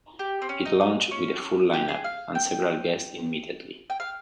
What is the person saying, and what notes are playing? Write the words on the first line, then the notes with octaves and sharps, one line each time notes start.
It launched with a full lineup, and several guests immediately.
G4
C4
C#4
D#4
D#4
C#4
G4
G#4
F5
G5
G5
F5